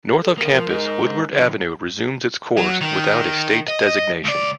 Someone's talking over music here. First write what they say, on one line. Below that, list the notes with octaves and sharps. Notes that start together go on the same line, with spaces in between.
North of campus, Woodward Avenue resumes its course without a state designation.
A4
D3 A#3 A#4
F3
G#2 D#4
D3 F3
F#3
D#3
D#5
C#2 D5